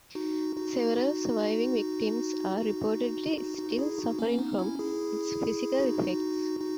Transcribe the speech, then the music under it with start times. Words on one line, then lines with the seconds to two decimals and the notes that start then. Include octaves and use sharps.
Several surviving victims are reportedly still suffering from its physical effects.
0.15 D#4 F#4
0.56 D#4 F#4
2.57 D#4 F#4
3.38 D#4 F#4
3.58 D#4 F#4
3.72 F#4
3.79 E4 G#4
3.98 D#4 F#4
4.19 A#3 C#4
4.39 B3 D#4
4.59 C#4 E4
4.79 E4 G#4
5.80 D#4 F#4
6.61 D#4 F#4